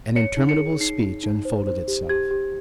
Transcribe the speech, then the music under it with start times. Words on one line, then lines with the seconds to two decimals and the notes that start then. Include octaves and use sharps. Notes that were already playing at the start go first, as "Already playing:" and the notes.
An interminable speech unfolded itself.
0.16 C#5 C#7
0.37 D#4
0.49 C#7
0.58 G#4
0.80 D#4 C7
1.01 D#4
1.24 D#4
1.45 C5
1.67 C5
1.88 G4
2.09 G4 G#6
2.31 G4